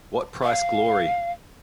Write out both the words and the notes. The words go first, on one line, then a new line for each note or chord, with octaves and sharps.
What Price Glory?
F5